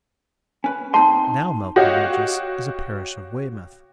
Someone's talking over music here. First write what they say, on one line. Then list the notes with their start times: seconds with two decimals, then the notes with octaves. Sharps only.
Now Melcombe Regis is a parish of Weymouth.
0.64 C#4 B4
0.94 C4 D#4 A5 C6
1.76 F#4 G4 C#5 D#5 F5